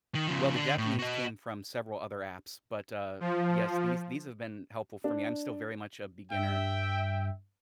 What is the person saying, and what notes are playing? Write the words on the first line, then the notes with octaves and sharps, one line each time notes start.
Well, the Japanese came from several other apps, but, uh, yes, these these have been helpful for me, I'm still very much a beginner
D#3
C#3 F3
D3 D4
A2
F#4 D#5
F3
D4
G2 E5 G5